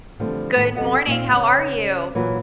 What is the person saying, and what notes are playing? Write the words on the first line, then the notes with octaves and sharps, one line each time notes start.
Good morning. How are you?
D3 E3 F3 G3 A3 C4
A2 D#3
F#2 C3 C4 A4 D#5 F#5
A#2 D#4 D5 F5
C#3 B3 C#4
A#2 E3 F#3 A#3 B3